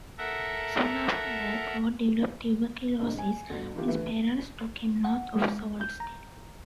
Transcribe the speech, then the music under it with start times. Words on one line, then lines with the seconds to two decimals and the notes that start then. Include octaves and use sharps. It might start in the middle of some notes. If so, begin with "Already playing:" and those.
Soon after birth, Ward developed tuberculosis; his parents took him north of Sault Ste.
0.18 A4 A#4 E5 F#5 A#5
2.99 C2 G#2 D3 A#3
3.19 G#5
3.50 G1 D2
3.75 D3 E3 A#3 B3 F4 G4
3.88 D3 E3 A3 B4 E5
5.05 F#5
5.36 G#3
5.81 G6
6.00 A#5